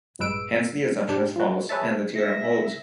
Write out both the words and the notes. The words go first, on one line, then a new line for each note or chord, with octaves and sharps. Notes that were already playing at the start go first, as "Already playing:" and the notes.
Hence the assumption is false and the theorem holds.
A#1 G2 G#3 B4 E6 D7
G#2 D4 G4
F3 F#4
G#4 B4 C#5 E5 A5
E5 A#6